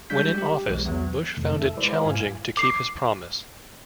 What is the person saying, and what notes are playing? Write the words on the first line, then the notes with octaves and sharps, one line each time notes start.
When in office, Bush found it challenging to keep his promise.
G3 G#3 D4 G6 B6
G4
B1 E3 G#3
E2 F#3
F2 C3 D#3 A3
A4 E5
G#3 E4 B4 C5 D5
G#2 E4 F5 G#5
D6 C7